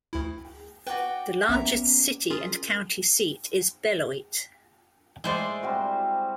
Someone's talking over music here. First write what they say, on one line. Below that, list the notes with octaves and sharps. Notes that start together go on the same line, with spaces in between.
The largest city and county seat is Beloit.
D2 E4
F#4 B4 D5 G5
A#1 A#3 B3 C#4 E5 A#5
C#4 F4 G#4 A#4
A2 G#3 E4 C5 D5
G3 C4 F#4